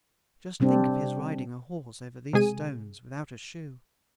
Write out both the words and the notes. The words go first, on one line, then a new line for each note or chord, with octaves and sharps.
Just think of his riding a horse over these stones without a shoe!
C3 G3 C4 D4
C3 G#3 G#4 G#5 D#7